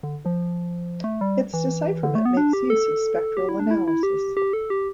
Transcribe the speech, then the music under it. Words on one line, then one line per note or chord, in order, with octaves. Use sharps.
Its decipherment makes use of spectral analysis.
D3
F3
A3
G3
E3
D3
A3
B3
D4
G4
A4
G4
E4
D4
E4
E4
G4
G4
A4
G4